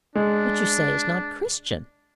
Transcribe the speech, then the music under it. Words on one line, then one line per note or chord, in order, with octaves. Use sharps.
"What you say is not Christian."
G#3 D4